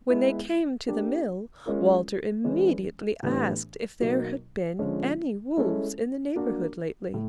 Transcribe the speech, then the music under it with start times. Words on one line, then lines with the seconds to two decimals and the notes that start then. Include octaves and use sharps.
When they came to the mill Walter immediately asked if there had been any wolves in the neighbourhood lately.
0.10 G#3 B3 E4
0.88 A#3 D4 G4
1.66 G#3 C#4 F4 A#4
2.44 E3 G#3 C#4
3.23 A2 E3 G3 B3 D4
4.01 B2 F#3 A#3 D#4
4.79 D3 F3 G#3 C#4 F4
5.57 G#3 C#4 E4 A4
6.36 A#3 D4 F#4 A#4
7.14 A2